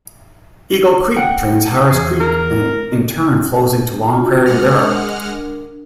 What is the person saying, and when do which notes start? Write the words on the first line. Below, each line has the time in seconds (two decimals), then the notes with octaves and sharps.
Eagle Creek drains Harris Creek, and in turn flows into Long Prairie River.
1.17 F#5 G5
1.90 E2 B2 G#4
2.20 A#4
4.11 D4 F4 F#4
4.46 G#3 D4 A#4 F#5 F6